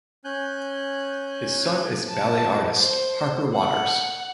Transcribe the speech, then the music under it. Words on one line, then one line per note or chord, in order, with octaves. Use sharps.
His son is ballet artist Harper Watters.
C#4 G#5 F#6 G6
A5
C5
F#5